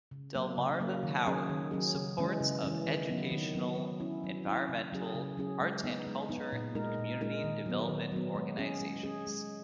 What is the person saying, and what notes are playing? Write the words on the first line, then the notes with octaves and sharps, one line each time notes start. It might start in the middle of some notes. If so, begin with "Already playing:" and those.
Delmarva Power supports of educational, environmental, arts and culture, and community development organizations.
C#3
F#3 A#3
C#3
F#3 A#3
D#3
F#3 C#4 G#4
D#3
F#3 C#4 G#4
C#3
E3 G#3 C#4
C#3
E3 G#3 C#4
D#3
F#3 B3
D#3
F#3 B3
F#3
C#4 E4
F#3
C#4 E4
C#3
F#3 C#4 G#4
C#3
F#3 C#4 G#4
G#3
B3 D#4
G#3
B3 D#4
A#2
G#3 D#4 A#4
A#2
G#3 D#4 A#4
D#3
F#3 B3
D#3
F#3 B3
G#3
C#4 G#4
G#3
C#4 G#4
G#3